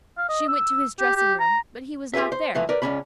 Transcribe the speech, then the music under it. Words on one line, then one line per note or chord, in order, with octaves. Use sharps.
She went to his dressing-room, but he was not there.
F5
D#5
E6
G4
G4
A#5
F4 G4 G#4 B4 E5
C5
A2 E3 F3
A#4 B4 D5
C#2 F#2 C#4 D4 B5